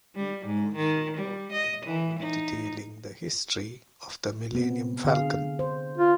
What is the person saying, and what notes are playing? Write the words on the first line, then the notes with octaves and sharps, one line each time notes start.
He also wrote a novel detailing the history of the "Millennium Falcon".
G3
G#2
D#3
G3
D#5
E3
D#4
C3 B3 C4
D3 G#4 F5
C5
F4